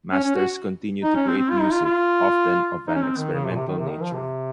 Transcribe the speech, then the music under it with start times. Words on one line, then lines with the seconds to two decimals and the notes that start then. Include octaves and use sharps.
Masters continues to create music, often of an experimental nature.
0.12 C#4
0.23 C#4
0.35 F#4
1.03 D#4
1.15 C#4
1.27 C4
1.38 C4
1.50 F4
1.61 D#4
1.72 F4
1.84 F4
2.88 D#4
2.95 C#4
3.02 C4
3.17 D#3
3.33 C#3
3.45 C3
3.51 A#2
3.56 C3
3.68 D#3
3.78 C3
3.90 D#3
4.02 F3
4.13 C3